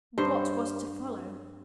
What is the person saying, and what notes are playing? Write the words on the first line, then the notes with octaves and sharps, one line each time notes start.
What was to follow?
G2 C5